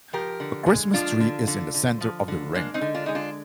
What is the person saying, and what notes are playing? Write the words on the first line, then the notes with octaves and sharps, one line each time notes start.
A Christmas tree is in the center of the rink.
F3 G4 A#4
D3
G#3
F3 D4 F4
D3
D3
D3
F3
D3
G#3 A#3 D4
C4 D#4
D3
D4 F4
G#3 D#4
D4 F4